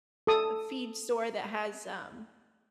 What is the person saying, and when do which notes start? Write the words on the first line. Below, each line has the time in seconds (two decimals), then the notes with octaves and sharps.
a feed store that has, um,
0.27 A4 D#6